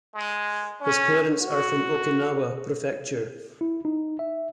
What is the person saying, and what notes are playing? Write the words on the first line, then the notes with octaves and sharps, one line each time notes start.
His parents are from Okinawa Prefecture.
G#3
C#4
F#4
E4
D#4
E5